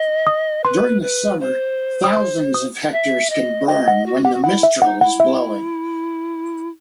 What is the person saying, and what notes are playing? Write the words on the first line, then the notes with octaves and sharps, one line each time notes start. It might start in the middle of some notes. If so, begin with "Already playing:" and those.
During the summer, thousands of hectares can burn when the mistral is blowing.
Already playing: D#5
D#6
B4 C6
B4
C5
D#6
C6
D#6
E5
D#5
D#5 G5
F#5
F#4
G4 F#5
F#4
E4 F#5
E5
D#4 F#5
E4 F#5
E5